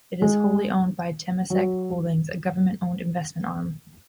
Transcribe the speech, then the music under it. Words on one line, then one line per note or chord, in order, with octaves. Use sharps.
It is wholly owned by Temasek Holdings, a government-owned investment arm.
G#3
F#3